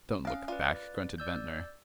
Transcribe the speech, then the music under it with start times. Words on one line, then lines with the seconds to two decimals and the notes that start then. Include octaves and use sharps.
"Don't look back," grunted Ventnor.
0.25 C#4 F5 A5
0.48 F4 B4 D5
1.18 D5 E6 G6